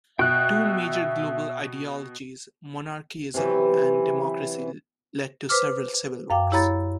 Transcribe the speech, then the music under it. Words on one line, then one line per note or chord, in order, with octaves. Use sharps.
The two major global ideologies, monarchism and democracy, led to several civil wars.
B2 E5 G5 F#6
C3 E3 F#3
B4 C5 D6 F6
F#2 F5 G5 D6
E4 G4 C#5 A#5 B5 A6